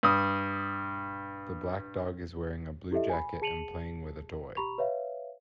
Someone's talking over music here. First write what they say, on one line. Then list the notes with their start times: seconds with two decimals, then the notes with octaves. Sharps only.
The black dog is wearing a blue jacket and playing with a toy.
0.03 G2 D#6
2.92 E4 G4 A4 D#5 E5
3.10 G#5 B5
3.42 G#4 A5 C#7 D#7 F7 F#7
4.57 G4 A#5 B5 C#6 F7
4.78 B4 C#5 E5 F5